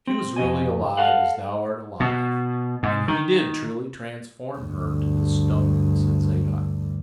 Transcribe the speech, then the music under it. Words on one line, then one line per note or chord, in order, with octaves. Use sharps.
"She was really alive as thou art alive, and he did truly transform her to this stone," said Zadok.
C4
F2 C#3 D#5 G#5
A4 F5 F#5
B2
G#2
D#3
D2 G2